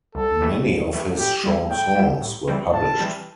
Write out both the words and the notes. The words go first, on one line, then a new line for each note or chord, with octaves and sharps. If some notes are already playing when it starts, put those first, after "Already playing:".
Many of his chansons were published.
C2 A4
C3 E3 A3
C2
C3 E3 A3
A2 G4
G3 E4
A2 G5
G3 E4
A2
E3 G3 C4
A2 A5
E3 G3 C4